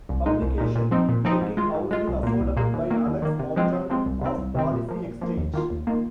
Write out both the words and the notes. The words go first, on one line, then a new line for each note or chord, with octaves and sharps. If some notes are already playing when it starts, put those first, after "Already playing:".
Publication: Making Housing Affordable by Alex Morton of Policy Exchange.
C2
A#2 G#3 D#4
C2
A#2 G#3 D#4
A#2
F3 C4 D#4
A#2
F3 C4 D#4
G#2
G#3 F4
G#2
G#3 F4
C2
A#2 A#3
C2
A#2 A#3
D#2
D#3 A#3
D#2
D#3 A#3
C3
F3 G#3 C4 F4
C3
F3 G#3 C4 F4
C2
C3 D#3 C4
C2
C3 D#3 C4
A#2
F3 A#3
A#2
F3 A#3
D#2
D#3 A#3 F4
D#2
D#3 A#3 F4